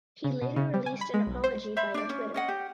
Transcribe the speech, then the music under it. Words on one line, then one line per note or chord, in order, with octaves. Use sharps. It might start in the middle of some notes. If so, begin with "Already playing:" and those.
He later released an apology via Twitter.
C#3
B2
C#3
G3
G#5
B5
G#3
B1
C5
C5 E5 B5
D4 D5
C#4
C#4 D#5 F#5
G4